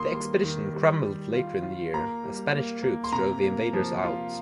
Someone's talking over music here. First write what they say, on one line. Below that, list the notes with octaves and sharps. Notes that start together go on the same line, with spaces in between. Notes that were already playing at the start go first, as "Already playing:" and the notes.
The expedition crumbled later in the year, as Spanish troops drove the invaders out.
Already playing: D#3 A#3 C6 D#6
G3 C6
D#3
G3
G3
F4
F4
A#3 A#5
G3
A#3
A#3
C6
C3 A#5
A#3
F3
F4